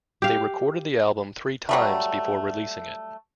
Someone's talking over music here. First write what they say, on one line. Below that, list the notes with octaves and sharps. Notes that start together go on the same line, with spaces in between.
They recorded the album three times before releasing it.
G4 F5
F#3 G3 A3